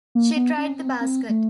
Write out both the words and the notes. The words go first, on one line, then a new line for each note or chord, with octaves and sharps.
She tried the basket.
A#3
B3
C#4
C4
C4
A3